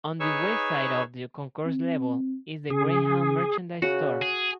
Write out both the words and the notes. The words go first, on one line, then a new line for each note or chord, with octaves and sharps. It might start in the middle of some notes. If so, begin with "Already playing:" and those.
On the west side of the concourse level is the Greyhound merchandise store.
D#4 G#4 B4 C#5 C#6 E6
C4
C#3 G#4
C#3 F#4
G#4